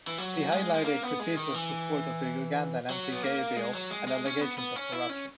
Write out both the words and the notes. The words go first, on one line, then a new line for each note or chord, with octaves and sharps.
He highlighted Kutesa's support of the Ugandan anti-gay bill and allegations of corruption.
E3
F#3
G#3
G#3
A#3
B3
G#3
D#3
E3
F#3
B3
A#3
G#3
F#3
G#3
G#3
C#4
B3
B3
C#4
E4
C#4